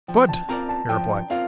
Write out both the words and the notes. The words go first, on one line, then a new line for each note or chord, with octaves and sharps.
"Good!" he replied.
F3 G5
A5
C4 F4 A#4 D5 A#5
A5
F3 G5
C4 F4 A#4 F5